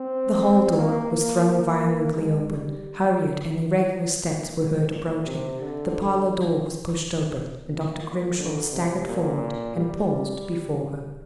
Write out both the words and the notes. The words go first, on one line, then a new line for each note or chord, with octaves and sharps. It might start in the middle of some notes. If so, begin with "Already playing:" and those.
The hall door was thrown violently open, hurried and irregular steps were heard approaching, the parlor door was pushed open, and Dr. Grimshaw staggered forward and paused before her!
Already playing: C4
A#3
A#3
G#3
G3
A#2
G#2
A#2
C3
D3
A#2
D3
C3
A#2
G3